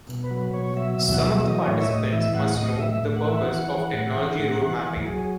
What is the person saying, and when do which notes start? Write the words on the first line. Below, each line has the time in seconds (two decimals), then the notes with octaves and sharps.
Some of the participants must know the purpose of technology roadmapping.
0.09 B2
0.24 B4
0.31 F#3
0.54 B2 C#5
0.76 F#3 E5
0.99 B2 E5
1.14 F#5
1.21 F#3 E5
1.44 E3 D#5
1.67 A2 C#5
1.80 E5
1.89 A2 D#5
2.12 E3 E5
2.35 A2 F#5
2.57 A2 D#5
2.79 A2 E5
3.03 A2
3.16 F#5
3.25 E3 E5
3.42 F#5
3.47 E3
3.71 E3
3.93 A2
4.16 E3
4.39 A2
4.61 E3
4.84 E3
5.06 F#3 G#4